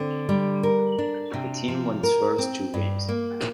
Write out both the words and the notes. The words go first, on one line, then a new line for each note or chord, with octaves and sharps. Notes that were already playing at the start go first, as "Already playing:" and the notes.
The team won its first two games.
Already playing: D3 C4
G3
A#4
D4
C3
F3
A#4
C4
G2
A#3